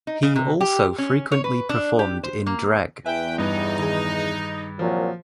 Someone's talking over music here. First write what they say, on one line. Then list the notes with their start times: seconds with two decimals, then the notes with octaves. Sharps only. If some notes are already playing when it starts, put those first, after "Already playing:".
He also frequently performed in drag.
0.07 D#4
0.23 C#3
0.36 C3
0.61 G4
0.98 C#4
1.32 C#5
1.44 B4
1.69 D4
1.99 G4
2.23 C5
2.47 A#3
3.06 E2 B4 E5 G5 G#5
3.38 G2 D#4
3.79 D#3 G#4
4.79 C2 A#2 F3 F#3